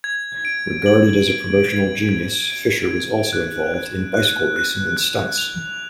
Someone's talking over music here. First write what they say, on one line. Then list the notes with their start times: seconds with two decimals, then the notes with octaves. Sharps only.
Regarded as a promotional genius, Fisher was also involved in bicycle racing and stunts.
0.04 G#6
0.45 D7
0.86 F#7
1.28 D7
1.68 G#6
2.09 G#6
2.50 D7
2.91 G#6
3.33 F#6
3.74 F#6
4.14 F#6
4.56 F#6
4.97 F#6
5.38 F7